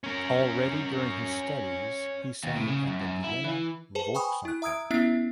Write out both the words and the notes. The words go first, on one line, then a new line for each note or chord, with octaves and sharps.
Already during his studies he sang at the Vienna Volksoper.
C#4 A#4
D#2
A2
C#3
F#2
F#2
E4
E3
G#4 B4 C5 A5
G5 G#5 B5 C#6 D#6
E4 F#6
E5 A#5 D#6 E6 G#6 D7
B3 C#4 E4 E5 C7